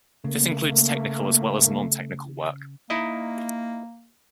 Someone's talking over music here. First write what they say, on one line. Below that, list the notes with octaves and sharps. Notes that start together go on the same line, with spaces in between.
This includes technical as well as non-technical work.
C#3 A3 A#3
A#3 D#4 E4 D#5